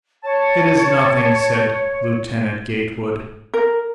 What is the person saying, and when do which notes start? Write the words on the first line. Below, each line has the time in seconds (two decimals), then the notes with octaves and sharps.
"It is nothing," said Lieutenant Gatewood.
0.24 C#5 A5
3.54 A#4